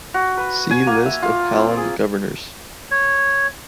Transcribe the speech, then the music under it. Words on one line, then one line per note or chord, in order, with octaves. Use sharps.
See List of Halland Governors.
F#4
B4
G#5
A#3
E5
F4
C4
G#4
C#5